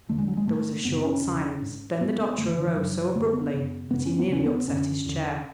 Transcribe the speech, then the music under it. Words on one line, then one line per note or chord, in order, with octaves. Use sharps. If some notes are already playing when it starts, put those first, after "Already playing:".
There was a short silence; then the doctor arose so abruptly that he nearly upset his chair.
E2 D3 A3
G#3
F#3
G#3
G#2 A3
F#2 C#3 B3
C#4
E2 C#3
G#2
G#2 B3
B3
F#2 D3 A3
E3
D3
E3
F#2 C#3 F#3
F#2 D3 A3
B3
F#2 C#3
F#2 C#3 B3
C#4
B3
E2 C#3 C#4
B3
F#2 D3 C#4
E2 D3